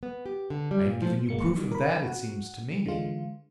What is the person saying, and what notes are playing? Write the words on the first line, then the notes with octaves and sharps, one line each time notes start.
"I have given you proof of that, it seems to me."
B3
G4
D3
G3
A#2
F3
G1 G#3 A#3 C#7
D#3 G3
A#4 B5
F#4 F#5
D3 E3 G#3 F4